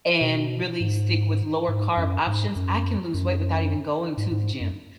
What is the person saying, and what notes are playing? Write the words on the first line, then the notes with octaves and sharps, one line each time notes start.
and really stick with lower carb options, I can lose weight without even going to the gym.
B2
G#2
G#2
F#2
G#2
F#2
F#2
G#2
G#2
F#2